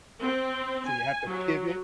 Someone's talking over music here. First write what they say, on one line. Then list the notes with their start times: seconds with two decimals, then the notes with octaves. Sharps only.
So you have to pivot?
0.20 C4
0.86 G#5
1.26 F#3